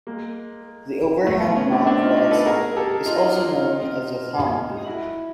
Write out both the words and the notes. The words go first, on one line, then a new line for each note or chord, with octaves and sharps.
The overhand knot, for example, is also known as the thumb knot.
G#3 A#3
A3 B3
B3 C#4
C4 D4
C4 D4
D#4 F4
D#4 F4
A4 B4
G#4 A#4
G4 A4
D#4 F4
D#4 F4
E4 F#4